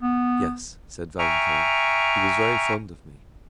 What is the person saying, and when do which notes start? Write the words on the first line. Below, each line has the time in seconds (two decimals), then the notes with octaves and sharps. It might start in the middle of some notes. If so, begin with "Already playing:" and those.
"Yes," said Valentine, "he was very fond of me."
0.02 B3
1.19 E5 G5 G#5 A#5 C#6 F6